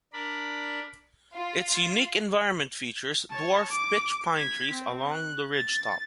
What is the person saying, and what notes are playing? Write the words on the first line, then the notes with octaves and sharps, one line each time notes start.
Its unique environment features dwarf pitch pine trees along the ridgetop.
D4 A#4 D5 B5
F4
C#5 A5
D6
G#6 B6
C4
F#6
A6